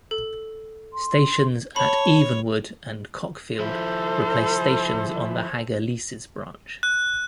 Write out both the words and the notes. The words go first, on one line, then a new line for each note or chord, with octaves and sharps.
Stations at Evenwood and Cockfield replaced stations on the Hagger Leases branch.
A4
C6
C#5 A5 B5
F3 E4 A4 C5
F#6